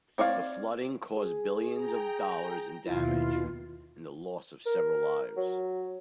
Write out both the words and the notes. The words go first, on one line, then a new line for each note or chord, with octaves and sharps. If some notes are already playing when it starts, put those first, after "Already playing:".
The flooding caused billions of dollars in damage and the loss of several lives.
C4 C#5 D5 F5
G#4
G#4 G5 A#5
D#2 B2 E4 F4
A#4
F#3